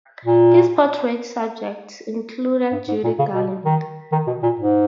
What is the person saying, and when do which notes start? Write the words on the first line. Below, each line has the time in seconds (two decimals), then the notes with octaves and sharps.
His portrait subjects included Judy Garland.
0.25 A#2
2.72 G2
2.88 G#2
3.04 A#2
3.19 C#3
3.35 B2
3.65 D#3
4.12 D#3
4.27 B2
4.43 A#2
4.59 G#2